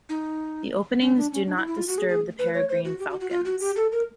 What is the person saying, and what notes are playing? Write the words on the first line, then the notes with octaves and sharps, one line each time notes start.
The openings do not disturb the peregrine falcons.
D#4
C#4
D4
C#4
D4
E4
E4
F4
F#4
G#4
G#4
B4
C#5
C5
F#4
G4
F#4
F#4
F4
F#4
G4
A4
A#4